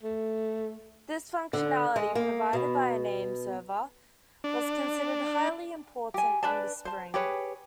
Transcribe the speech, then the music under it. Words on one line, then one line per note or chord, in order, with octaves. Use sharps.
This functionality, provided by a name server, was considered highly important under Spring.
A3
D3
G#3
A#3
B2
D4
G4 G#5
D4 B4 D5 A5
C5 A5
G4 G#4 B4 C#5